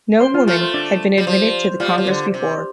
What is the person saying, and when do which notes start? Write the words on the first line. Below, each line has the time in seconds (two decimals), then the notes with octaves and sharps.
No woman had been admitted to the congress before.
0.21 C5 C6
0.34 F4 F5
0.47 A3 F4 F5
0.61 C5
0.74 D4 D5
1.18 G3
1.27 F3
1.80 G3 F4 F5
1.98 F3
2.07 D3
2.34 C3